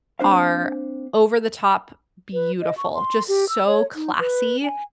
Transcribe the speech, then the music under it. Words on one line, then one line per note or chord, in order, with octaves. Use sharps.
are over-the-top beautiful, just so classy.
A#3 C4 D4 C5 F5
B4
D#5
C#6
C6
G4
E6
C#5
D#4
B4
G#5